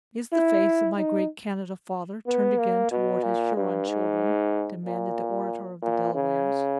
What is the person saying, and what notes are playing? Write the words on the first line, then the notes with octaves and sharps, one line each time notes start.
"Is the face of my great Canada father turned again toward his Huron children?" demanded the orator of the Delawares.
E4
D#4
B3
A#3
B2
A#2
G2
G#2
A#2
A#2
C#3